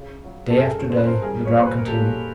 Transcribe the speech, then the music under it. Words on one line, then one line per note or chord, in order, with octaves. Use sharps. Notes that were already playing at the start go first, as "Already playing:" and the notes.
Day after day the drought continued.
Already playing: C#3
F#3
A4
F#2 G#4 A#4
F#2 C5
B4
A#4 C5
G3 G#4 A#4
C#5
A#2 C5
B4
A#4
A#2 G4 A4